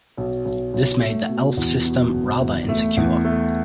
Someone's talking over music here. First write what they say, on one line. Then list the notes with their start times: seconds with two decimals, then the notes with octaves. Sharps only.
This made the Aleph system rather insecure.
0.17 B1
0.45 B1
0.73 B1
1.01 A3
1.29 B2
1.57 E2
1.85 B2
2.13 F#1
2.41 E2
2.69 A3
2.97 E2
3.25 A3